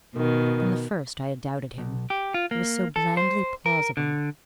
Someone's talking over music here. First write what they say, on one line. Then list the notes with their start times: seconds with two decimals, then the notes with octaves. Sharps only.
From the first I had doubted him; he was so blandly plausible.
0.14 B2 D#3
1.78 B1
2.10 G4
2.34 F4
2.51 A#3
2.96 A4
3.17 C5
3.66 A#4
3.97 D3